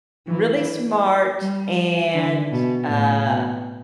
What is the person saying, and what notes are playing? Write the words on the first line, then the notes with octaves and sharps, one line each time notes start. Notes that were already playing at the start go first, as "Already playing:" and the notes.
Really smart and, um,
E3
G3
D3
B2
A2
B2